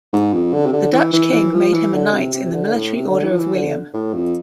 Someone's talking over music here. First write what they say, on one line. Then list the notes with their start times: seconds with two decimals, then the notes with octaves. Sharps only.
The Dutch King made him a Knight in the Military Order of William.
0.13 G#2
0.33 F2
0.53 D3
0.66 C3
0.72 D3
0.92 E3
1.13 E3
1.32 E3
1.53 F3
1.73 E3
1.94 D3
2.13 C3
2.34 C3
2.54 D3
2.73 A2
2.94 C3
3.08 D3
3.24 E3
3.31 F3
3.38 E3
3.54 D3
3.93 A2
4.14 F2